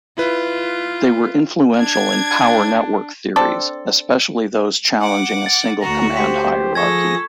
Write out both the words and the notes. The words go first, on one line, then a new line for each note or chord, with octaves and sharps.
They were influential in power network theories, especially those challenging a single command hierarchy.
E4 F4 B4
D4 G#6
C4 D4 A4
F#5 D6
A6
D2 F#4 A#5
G4 C5 B6
F3 G#4 A4 C#6 G#6 A#6